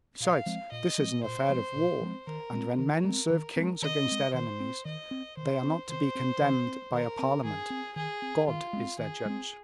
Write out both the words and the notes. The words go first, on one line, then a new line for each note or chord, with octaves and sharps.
Besides, this is an affair of war; and when men serve kings against their enemies they are not to be condemned by a parliament--God is their judge.
A#2 F5
F3 G#3 C4
A#2 D#5
F3 G#3 C4
A#2 C5
F3 G#3 C4
A#2
F3 G#3 C4
D#3 A#4
G#3 C4
D#3 A#4
G#3 C4
D#3
G#3 C4
D#3 D#5
G#3 C4
D#3 C5
C4
D#3 D#5
C4
D#3 C5
C4
D#3 C5
C4
D#3
C4
D#3 A#4
C4
D#3 G#4
C4
D#3 G#4
C4
D#3 F4
G#3 C4
D#3 G#4
G#3 C4